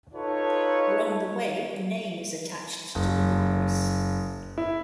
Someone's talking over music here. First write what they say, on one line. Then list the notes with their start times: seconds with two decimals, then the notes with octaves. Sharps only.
Along the way, a name is attached to the virus.
0.14 D#4 F4 A4 B4 C#5
2.95 F#1
4.58 E4